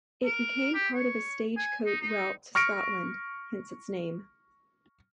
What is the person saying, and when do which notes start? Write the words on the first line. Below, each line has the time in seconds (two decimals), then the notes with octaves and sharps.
It became part of a stagecoach route to Scotland, hence its name.
0.25 A#4
0.74 G4
0.94 C#5
1.57 G#5
1.86 D#4
2.01 D#4
2.55 C#6 F6 A#6 C#7 D7